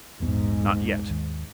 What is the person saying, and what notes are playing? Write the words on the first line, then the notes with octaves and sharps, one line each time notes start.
Not yet.
A#1 E2 G#2 B3
D#2